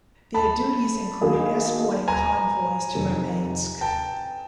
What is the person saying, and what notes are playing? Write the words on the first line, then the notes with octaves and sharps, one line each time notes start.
Their duties included escorting convoys to Murmansk.
A5 B5
D#3 F#3 A#3 D#4 G#4
G#5 A#5
F2 C3 D#3
G5 A5